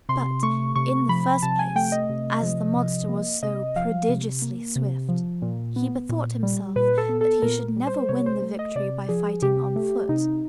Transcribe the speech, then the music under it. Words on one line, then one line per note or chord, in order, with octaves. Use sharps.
But, in the first place, as the monster was so prodigiously swift, he bethought himself that he should never win the victory by fighting on foot.
C3 C6
A3 C#6
C3 C#6
F3 B5
C3 A5
G#5
A3 G5
D#5
C3
F3
C3
A#3
C3 D#5
F3 F5
C3
A#3
C3
F3
A#2
B3
A#2
G3
A#2 B4
A4
B3
A4
A#2 A#4
G3
C5
C3 C#5
C5
A3
D#5
C3 D5
F3 G#4
C3 G4
A3
C3 D#4